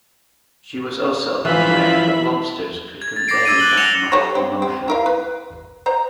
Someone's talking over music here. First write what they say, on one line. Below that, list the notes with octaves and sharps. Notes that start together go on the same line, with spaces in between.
She was also unaware that lobsters could convey that much emotion.
E3 F3 E5 B5
G#6
A6
D6 G#6 A#6 C7 D7
D6 E6 G#6 A6 D7 D#7
F#6 F#7 G7
A#6 C#7 E7 F7
G4 A4 C#5
C4
C4
E4 A#4 F5
B4
C5 D#5 A#5